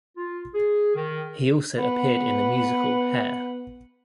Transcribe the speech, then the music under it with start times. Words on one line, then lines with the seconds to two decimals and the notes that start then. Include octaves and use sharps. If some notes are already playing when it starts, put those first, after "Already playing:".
He also appeared in the musical Hair.
0.17 F4
0.55 G#4
0.95 D#3
1.79 B3 B4 F#5